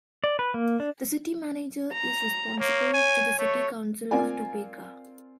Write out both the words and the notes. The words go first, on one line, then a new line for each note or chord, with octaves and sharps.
The City Manager is responsible to the City Council of Topeka.
D5
B4
A#3
D4
A#5
A#3 C#5
G#5
A3 C#5
C4 F4 A#4 D5 G#5